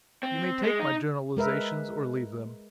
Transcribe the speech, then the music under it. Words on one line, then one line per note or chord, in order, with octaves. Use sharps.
You may take my generalizations or leave them.
C4
G#3
D#4
G#3 A#4 B4 E5